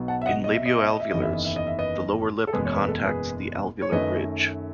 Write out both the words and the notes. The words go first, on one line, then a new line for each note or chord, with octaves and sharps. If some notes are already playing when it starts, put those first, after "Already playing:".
In labioalveolars, the lower lip contacts the alveolar ridge.
Already playing: B1 B2 F#3
F#5 A5
E5
D#5 F#5
D#5
E5
D#5
E5
D#5
E5
F#1 E2 D#3 D#5
E5
D#5
E5
D#5
E5
B4 D#5
A4
F#1 E2 B2 G#3 G#4 B4
C#5
B4
A4
G#4 B4
C#5
F#2 D#3 A3 B4 D#5